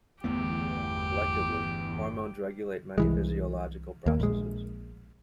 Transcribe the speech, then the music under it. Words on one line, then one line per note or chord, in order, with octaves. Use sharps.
Collectively, hormones regulate many physiological processes.
G1 E2 A3 B3 G4
C2 E3 G#3
D#2 A#3
A#1 G#3